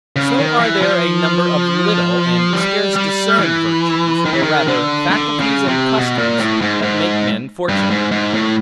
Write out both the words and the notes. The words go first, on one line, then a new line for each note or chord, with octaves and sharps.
So are there a number of little, and scarce discerned virtues, or rather faculties and customs, that make men fortunate.
C#3
D#3
E3
F3
G3
G3
E3
D#3
E3
D#3
D3
D3
C#3
C3
B2
A#2
A2
G#2
G#2
G2
G#2
G#2
A2